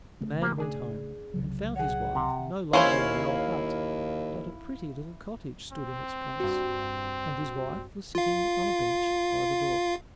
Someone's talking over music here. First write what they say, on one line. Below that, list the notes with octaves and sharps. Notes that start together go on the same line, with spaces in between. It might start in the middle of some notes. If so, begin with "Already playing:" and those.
The man went home and found his wife no longer in the old hut, but a pretty little cottage stood in its place, and his wife was sitting on a bench by the door.
C#3 A3 C#4
A#3 G4 F5
D4 G#4
C2 C#3 F#3
G#4 C#5 F#5
C3
D#2 C#4 E4 C5 C#5 F5
C4
G2 F#4
F4 F5